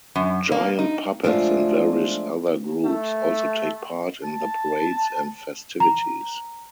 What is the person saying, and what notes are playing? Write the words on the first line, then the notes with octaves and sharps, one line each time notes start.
Giant puppets and various other groups also take part in the parades and festivities.
F#2
A#3
D#4
F3 G#3 A3 D4 F4
A3
A5
A#5